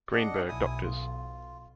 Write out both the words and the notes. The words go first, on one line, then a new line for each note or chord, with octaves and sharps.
Greenberg, Drs.
D4 D#5 F#5
B1 E4 G#5 D#6
F4